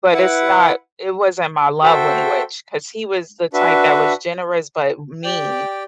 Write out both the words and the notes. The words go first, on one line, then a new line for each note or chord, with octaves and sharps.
but it's not it wasn't my love language 'cause he was the type that was generous but mean,
E4 B4 F#5
F#4 A4 C5 E5 G5
D4 F#4 B4 E5
G4 D5 G5